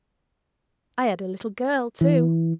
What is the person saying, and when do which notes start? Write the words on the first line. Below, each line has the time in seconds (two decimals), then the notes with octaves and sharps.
I had a little girl, too.
2.01 E3